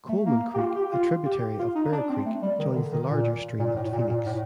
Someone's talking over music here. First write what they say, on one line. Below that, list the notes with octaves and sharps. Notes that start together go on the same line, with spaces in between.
Coleman Creek, a tributary of Bear Creek, joins the larger stream at Phoenix.
A3
A#3
G4
F4
G4
F4
G4
F4
D#4
D4
C4
A3
G3
D#3
D3
D#3
A#2
A#2
A2
A#2
A#2
A2